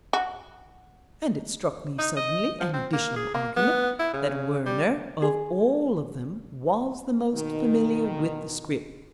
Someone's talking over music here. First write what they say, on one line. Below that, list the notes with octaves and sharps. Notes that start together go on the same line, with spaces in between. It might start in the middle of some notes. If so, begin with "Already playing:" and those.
And it struck me suddenly, an additional argument, that Werner, of all of them, was the most familiar with the script.
F#4
D#4
D#5
F3
C4
A#3
G#4
A#3
B3
E4
C#3
G3
G#4
B2 D#3